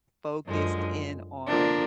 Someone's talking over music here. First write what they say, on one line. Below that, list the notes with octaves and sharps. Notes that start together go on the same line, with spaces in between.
focused in on
F#2 D3 F3 G#3
D3 F3 A#3 D4